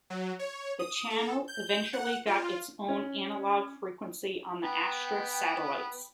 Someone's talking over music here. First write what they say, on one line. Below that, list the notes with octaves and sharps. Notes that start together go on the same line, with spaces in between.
The channel eventually got its own analogue frequency on the Astra satellites.
F#3
C#5
D#6
A4
G6
F#5
F4
C#4
B3 G5 B5